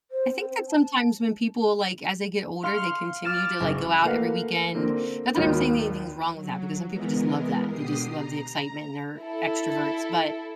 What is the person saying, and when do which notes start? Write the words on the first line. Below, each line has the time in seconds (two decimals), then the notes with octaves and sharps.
I think that sometimes when people, like, as they get older, they continue to, like, go out every weekend not that I'm saying anything's wrong with that because some people just love that, they just love the excitement and they're extroverts, but,
0.11 C5
0.31 C4
0.50 C4
0.67 A5
2.63 F5 C6 F6 C#7
3.24 D6 F6 A6 E7
3.60 F#1
4.04 A3 A#3 B4 F5 F#5
4.74 D3 A#3 C4
5.35 G#1 D#2 D#3 F4 C#5 B5
6.32 F#3
6.87 E3 G#3 B3 A#4
7.68 B2 D3 G4 D#6 C7
8.04 A#5
9.19 E4 A4